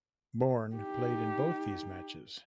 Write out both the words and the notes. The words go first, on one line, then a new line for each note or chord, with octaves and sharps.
Born played in both these matches.
D#4 G4